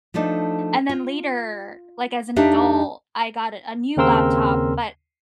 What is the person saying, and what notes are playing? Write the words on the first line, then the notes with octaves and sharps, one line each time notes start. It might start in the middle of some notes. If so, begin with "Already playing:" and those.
and then, later, like, as an adult, I got a a new laptop, but
F3 A3 D4 D#4
F4
F2 D4 D#4 G4 E5 F5
D#2 C#3 C4 A#4 C6 E6